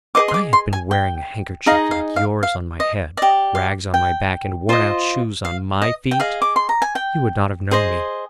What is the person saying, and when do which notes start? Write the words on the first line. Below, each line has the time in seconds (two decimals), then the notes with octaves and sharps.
"If I had been wearing a handkerchief like yours on my head, rags on my back, and worn-out shoes on my feet, you would not have known me."
0.15 G#4 C5 D#5 D6
0.28 C6
0.34 D6
0.53 C6
0.73 G#5
0.91 G5
1.66 D#4 G#4 D#5 F5
1.91 F5
2.16 F5
2.43 F5
2.80 D#5
3.17 G4 D5 D#5
3.55 F5
3.94 G5
4.69 F4 C5 D#5
5.45 F5
5.82 D#5
6.11 G5
6.20 G#4 D#5 F5
6.42 D6
6.56 C6
6.69 A#5
6.82 G#5
6.95 G5
7.71 G#4 C5 D#5